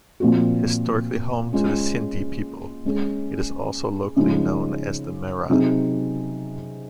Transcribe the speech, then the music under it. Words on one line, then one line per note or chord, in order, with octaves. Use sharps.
Historically home to the Sindhi people, it is also locally known as the Mehran.
A#2 F3 C4 F#4
G#3 C#4 F4
G#3 C#4 G#4
C#3 F3 G#3 D#4
C3 F#3 C4 D#4 G#4